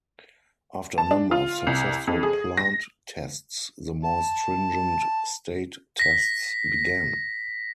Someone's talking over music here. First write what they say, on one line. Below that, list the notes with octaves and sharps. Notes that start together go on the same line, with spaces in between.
After a number of successful plant tests the more stringent state tests began.
A5
D4
F4
C2
F2
G#4
A#6
A5
A#6 B6